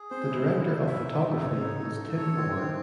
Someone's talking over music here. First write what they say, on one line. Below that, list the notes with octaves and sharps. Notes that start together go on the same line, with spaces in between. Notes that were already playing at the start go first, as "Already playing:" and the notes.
The director of photography was Tim Orr.
Already playing: G#4
C4 C5
E4
G#3
F#3 E4
E4
E5
D#4
E3 A4
C#3 C#5
C3
C#3 D#4
A4
A4
C#5
C#3
D#3 C4
C4
D#3